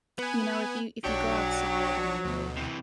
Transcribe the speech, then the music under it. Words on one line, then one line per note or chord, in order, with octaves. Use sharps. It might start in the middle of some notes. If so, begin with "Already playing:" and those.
you know, if you if you go outside and you
B3 B4 G#5
B1 F#3 D4 G4 C#6
D2 B2
C3 E3